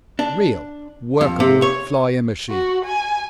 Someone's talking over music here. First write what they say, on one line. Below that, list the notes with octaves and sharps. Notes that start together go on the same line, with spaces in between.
Real, workable, flying machines.
D4
F2
C3
C#5
F#4
G#5